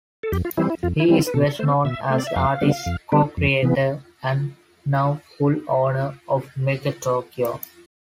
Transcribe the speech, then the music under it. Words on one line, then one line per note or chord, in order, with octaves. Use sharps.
He is best known as the artist, co-creator, and now full owner of "Megatokyo".
A4
F2 G4
F4
E3 G3 C4 E4
E4
F2 F4
E4
E3 G3 C4
F4
B4
B2 A4
A4
A3 C4 C5
B2 E5
A3 C4
D5
E5
F2 F5
D3 G3 B3 D4
F2
D3 G3 B3 D4
F2
C3 E3 B3